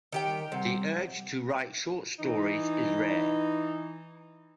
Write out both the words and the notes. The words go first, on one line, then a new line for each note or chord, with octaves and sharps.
The urge to write short stories is rare.
D#3 G4 G5
C3 G3 F#5
E3 D#4